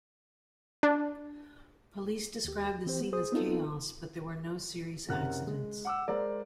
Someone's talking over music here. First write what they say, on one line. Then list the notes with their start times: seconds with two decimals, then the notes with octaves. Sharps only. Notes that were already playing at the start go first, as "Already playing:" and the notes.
Police described the scene as chaos but there were no serious accidents.
0.83 D4
2.45 D#2 G4
2.86 E3 C4 G4 C5
3.01 B3
3.13 G#4 C5 D#6
3.32 B3 C4 D#4 F4 A4
5.09 F#1 C3 A#4 F#5 F#6
5.47 G#3
5.85 F#5 D6 E6
6.08 G#3 A#4 C5 D5